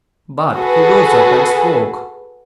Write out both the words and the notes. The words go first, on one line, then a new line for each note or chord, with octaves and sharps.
But he rose up and spoke.
F#4 G#4 A4 B4